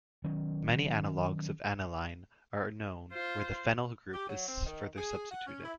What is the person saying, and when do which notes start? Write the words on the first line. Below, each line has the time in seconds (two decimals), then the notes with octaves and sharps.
Many analogues of aniline are known where the phenyl group is further substituted.
0.24 D#3 F#3 C#4
3.13 F4 C5
4.14 G4
4.27 F#3
4.47 C4
4.65 D#3
4.96 G#4
5.30 F#5
5.46 C#4
5.63 E4